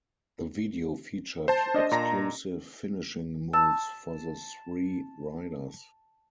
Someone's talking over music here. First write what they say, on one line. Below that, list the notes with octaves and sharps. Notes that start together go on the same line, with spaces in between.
The video featured exclusive finishing moves for the three Riders.
C5 A5
D4 D#5
A#2 A5 A#5 C6 A#6
A5 E6